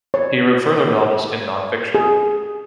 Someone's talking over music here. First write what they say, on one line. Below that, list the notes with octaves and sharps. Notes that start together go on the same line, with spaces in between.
He wrote further novels and non-fiction.
C#5
G#4